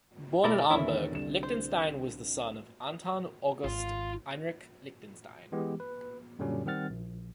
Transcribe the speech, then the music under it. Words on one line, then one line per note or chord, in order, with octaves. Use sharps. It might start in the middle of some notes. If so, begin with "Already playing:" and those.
Born in Hamburg, Lichtenstein was the son of Anton August Heinrich Lichtenstein.
B2 E4 A#4 D5 A6 A#6
E2 D3 D#3 C#4 E4 E5
C2 D3 E7
C5
G#1 F4
E3 G#3 B3 G4
B4
F#2 A#2 D3 F#3 G3 C#4
D#3 G3 C4 F#5 F6 A6
A#1